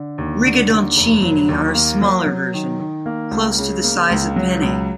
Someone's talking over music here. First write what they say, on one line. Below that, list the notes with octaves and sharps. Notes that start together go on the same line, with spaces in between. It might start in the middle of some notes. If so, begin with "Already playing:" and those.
Rigatoncini are a smaller version, close to the size of penne.
Already playing: D3
D#2
D3
D#2
F1
F#3
D#2
A#3
F#3
F#3
D#3
D#3
A#3
C#2
C#3
A#3
C#2
F#3
C#2